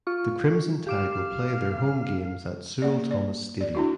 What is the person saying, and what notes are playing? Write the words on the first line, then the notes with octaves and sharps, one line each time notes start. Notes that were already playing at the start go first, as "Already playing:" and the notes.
The Crimson Tide will play their home games at Sewell–Thomas Stadium.
F4 C#6
G4 F5 D6 E7
A#3 D5
D5
D5
D4 E4 F#4